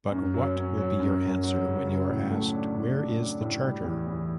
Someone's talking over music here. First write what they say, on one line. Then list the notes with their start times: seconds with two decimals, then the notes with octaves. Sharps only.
But what will be your answer when you are asked: 'Where is the Charter'?
0.12 F#2
0.34 F#3
0.56 C#4
0.78 F#3
1.00 F#2
1.22 F#3
1.44 F#3
1.65 C#3
1.87 F#3
2.09 A2
2.31 A3
2.53 D4
2.75 D4
2.97 D4
3.19 D4
3.41 A2
3.63 G3
3.84 E2
4.07 E2